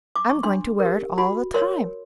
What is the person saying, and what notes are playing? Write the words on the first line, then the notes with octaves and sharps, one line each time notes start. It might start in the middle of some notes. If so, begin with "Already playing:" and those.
"I'm going to wear it all the time."
D6
C#6
D4 C6
A#4
G4
F#4 B5
A#4 C#5 C6